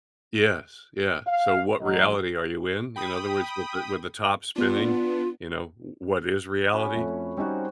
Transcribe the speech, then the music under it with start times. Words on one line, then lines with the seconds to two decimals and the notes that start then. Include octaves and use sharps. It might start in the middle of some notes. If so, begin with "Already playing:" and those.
Yes, yeah. So what reality are you in? In other words, with the with the top spinning, you know, w what is reality?
1.27 F5
1.81 A1 F#3 D#5
2.96 G5 B5 D#6
4.56 B3 D4 F4
6.73 C#4 F#4 B5
6.95 F2 A3
7.37 G3 C4 C#4 D#4 F#4